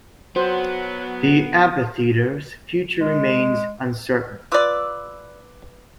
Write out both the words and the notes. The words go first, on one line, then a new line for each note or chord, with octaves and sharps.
The amphitheatre's future remains uncertain.
F#3 B3 F#4 C5
G#3
F4 B4 D5 D6 E6